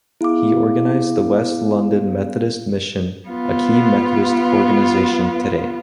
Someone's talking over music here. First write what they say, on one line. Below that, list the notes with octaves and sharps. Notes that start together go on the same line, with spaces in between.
He organised the West London Methodist Mission, a key Methodist organisation today.
B3 E4 G#4 F5 D6
B3 F4